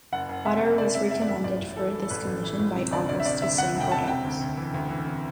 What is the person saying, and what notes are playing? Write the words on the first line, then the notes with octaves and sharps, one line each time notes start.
Potter was recommended for this commission by Augustus Saint-Gaudens.
F#1 F#5
F#1
C3 E5
F#1
C3 D5
C3 E5
F#1 E5
D5
E2 E5
A1 D5
A1
E3 A4
E3
A4
A1 B4
A1
E3
A1
C3
D2 D5
D2 D5
E5
C3 D5
D2 E5
D2 F#5
E1
G5
C3 A5
C3 G5
D2
D2
E3
D2
E3
C3